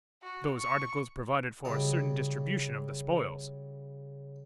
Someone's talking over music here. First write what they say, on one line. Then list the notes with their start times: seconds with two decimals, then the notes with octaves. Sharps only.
Those articles provide for a certain distribution of the spoil.
0.23 F#4
0.59 C#6
1.65 C#3 F#3 G3 D#5